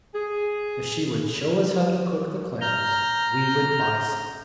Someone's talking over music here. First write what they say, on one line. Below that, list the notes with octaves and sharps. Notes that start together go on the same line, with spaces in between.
If she would show us how to cook the clams, we would buy some.
G#4
A#5 F6 G6